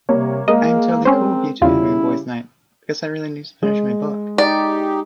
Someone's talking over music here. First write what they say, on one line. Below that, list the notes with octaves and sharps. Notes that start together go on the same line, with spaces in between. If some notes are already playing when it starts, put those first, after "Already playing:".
I am totally cool with you two having a boys' night because I really need to finish my book.
C3 G3 A#3 C#5
G#3 A#3 A#4 D#5
C4 C#4 C5
E2 C#3 G3 E4 F4
G#3
D#4 G4 D5